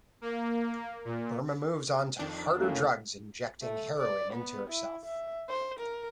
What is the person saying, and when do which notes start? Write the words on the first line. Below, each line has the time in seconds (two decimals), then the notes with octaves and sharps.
Burma moves on to harder drugs injecting heroin into herself.
0.21 A#3
1.05 A#2
2.19 F2 D#3 D4
2.57 A2 A#3 C#4
3.62 A3
3.98 D5
4.34 B3
4.71 E4
5.06 E5
5.49 C5
5.79 A#4